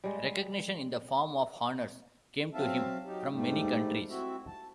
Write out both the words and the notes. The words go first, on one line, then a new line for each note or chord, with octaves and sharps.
Recognition in the form of honours came to him from many countries.
G3 G#3
F#3 C4 E5 F5 A5
F#3 D#4 G4
G#2 G3 A3
C4 E4 F#4 E5
A5